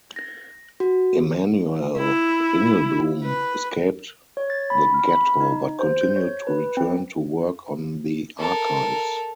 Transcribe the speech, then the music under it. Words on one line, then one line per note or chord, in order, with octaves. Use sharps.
Emanuel Ringelblum escaped the ghetto, but continued to return to work on the archives.
A#6
F#4
E4
B4
C#5
A6
B5
F6
B5
D#4
C5
G6
C#5
B4
C4
A4 A#4